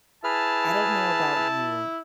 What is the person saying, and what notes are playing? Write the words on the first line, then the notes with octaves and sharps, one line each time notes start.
I don't know about you,
E4 G#4 B4 A5 F6
E4